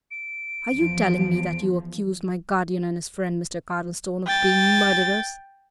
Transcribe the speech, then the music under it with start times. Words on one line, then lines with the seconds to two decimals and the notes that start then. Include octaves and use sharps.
"Are you telling me that you accuse my guardian and his friend, Mr. Cardlestone. of being--murderers?"
0.11 D7
0.73 E2 F3
4.26 G5 A6